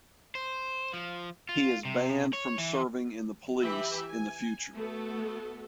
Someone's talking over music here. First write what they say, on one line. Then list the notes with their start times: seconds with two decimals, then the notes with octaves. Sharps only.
He is banned from serving in the police in the future.
0.35 C5
0.94 F3
1.49 F4
1.85 C3
2.33 C#5
2.58 E3
3.62 E3 G4 E5 B5
4.07 G#5
4.75 A3 B3 F#4 A4